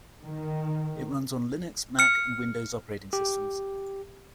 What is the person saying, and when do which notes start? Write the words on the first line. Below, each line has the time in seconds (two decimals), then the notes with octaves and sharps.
It runs on Linux, Mac and Windows operating systems.
0.21 D#3
1.99 F6 C#7
3.13 G4